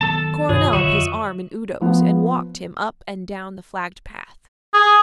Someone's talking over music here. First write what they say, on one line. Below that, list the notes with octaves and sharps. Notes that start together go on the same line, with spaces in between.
Coronel put his arm in Udo's and walked him up and down the flagged path.
D#3 F#3 B3 A4 A5
G2 C3 D#3 F4 G#4 C#5
F2 D3 F#3 F#4 D#5 E5
F3 B3
G#4